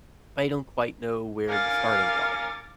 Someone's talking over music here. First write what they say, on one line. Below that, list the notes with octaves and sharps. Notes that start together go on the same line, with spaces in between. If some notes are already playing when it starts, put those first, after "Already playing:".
I don't quite know where to start in a lotta ways.
C#4 A#4 F5 D6 A6